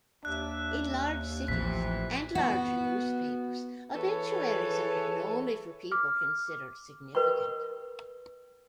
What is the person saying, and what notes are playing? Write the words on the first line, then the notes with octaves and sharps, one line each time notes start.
In large cities and larger newspapers, obituaries are written only for people considered significant.
D#2 D4 E5 F#6
A1 C3 E3 F3 B6
B3 F#4
E3 G#4 A4 B4 C#5
D6 F6
A#4 B4 D#5 G5 C#6